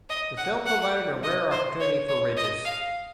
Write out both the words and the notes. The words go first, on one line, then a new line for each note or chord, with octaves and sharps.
The film provided a rare opportunity for Ridges.
D#5
F#5
F#5
D#5
C5
C#5
C#5
D#5
F5